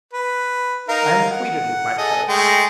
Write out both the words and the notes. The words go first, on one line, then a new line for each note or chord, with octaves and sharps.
'I am acquainted with my faults.
B4
D#4 A#4 F5
F#5
G#4 A4 D#5
G#3 A3 G5